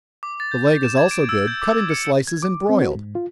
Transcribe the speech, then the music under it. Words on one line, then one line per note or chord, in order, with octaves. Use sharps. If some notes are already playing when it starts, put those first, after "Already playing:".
The leg is also good, cut into slices and broiled.
D6
A6
G6
G6
E7
G#6
D7
E6
G6
D6
C#7
G#6
D6
C4
F#4
G#2
F4